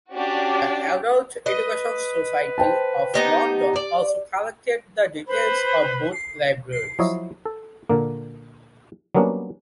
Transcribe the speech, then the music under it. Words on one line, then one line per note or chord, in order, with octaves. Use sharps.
The Adult Education Society of London also collected the details of boat libraries.
C#4 D4 F#4 G4 D5
B4 D#5
C5 G5 A5
B3 D#4 G4
D5
B4 C5 B5
F3 F#3 E4 C#5 D#5
A4
A#2 D3 A#3
F#3 G3 A#3 B3 C#4 D4